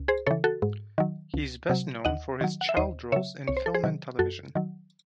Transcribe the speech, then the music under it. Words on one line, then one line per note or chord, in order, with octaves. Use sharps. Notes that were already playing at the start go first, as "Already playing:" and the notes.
He is best known for his child roles in film and television.
Already playing: C#2
G#4 C5
C#3 E3 A4 C#5
F#4 A4
G#2
D#3 F#3
C#2
C3 F#3
D#2 D#5 F#5
D#3 F#3
F#5
E5
D#2 C5 D#5
C#3 F#3 C#5 E5
C2 C#5
C5
A4
G#4 C5
C3 D#3 F#3
F#2 F#4 A4
D#3 F#3